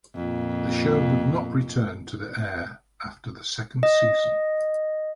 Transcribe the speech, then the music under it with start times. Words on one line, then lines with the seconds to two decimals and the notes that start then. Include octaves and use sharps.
The show would not return to the air after the second season.
0.15 F2 A#2
3.83 D#5